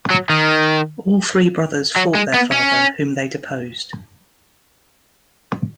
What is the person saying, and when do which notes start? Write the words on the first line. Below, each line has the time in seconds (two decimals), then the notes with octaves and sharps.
All three brothers fought their father, whom they deposed.
0.10 F#3
0.30 D#3
1.96 F#3
2.15 G#3
2.34 B3
2.52 C#4